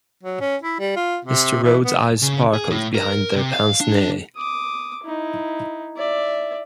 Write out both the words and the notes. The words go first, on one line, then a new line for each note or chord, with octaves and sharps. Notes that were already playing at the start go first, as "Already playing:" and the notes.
Mr. Rhodes's eyes sparkled behind their pince-nez.
F#3
C#4
E4
G3
F4
C3
E3
B3
C#3
G#4
A2
A#4
C3
F5
D4
D6 D#6
D#4 E4
D5 E5